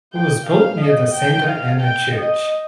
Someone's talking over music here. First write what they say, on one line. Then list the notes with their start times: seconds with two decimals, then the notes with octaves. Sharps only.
It was built near the Santa Ana Church.
0.13 G5
0.47 F5
0.80 D#5
1.14 G5
1.48 F5
1.82 G5
2.15 D#5